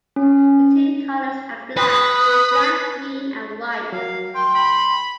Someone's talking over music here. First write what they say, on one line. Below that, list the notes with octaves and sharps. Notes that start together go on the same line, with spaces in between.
The team colors are black, lime green and white.
C#4
B4 D#6 F#6
F#3 A#4 F5
G5 C6
G5 B5